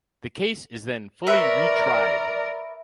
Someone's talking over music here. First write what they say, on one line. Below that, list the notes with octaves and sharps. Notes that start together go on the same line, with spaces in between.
The case is then fully retried.
A#4 B4 C#5 D5 E5